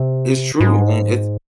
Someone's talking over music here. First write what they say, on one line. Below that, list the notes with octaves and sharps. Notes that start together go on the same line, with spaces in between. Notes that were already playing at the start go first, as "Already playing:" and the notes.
It's true, man, it's
Already playing: C3
G#2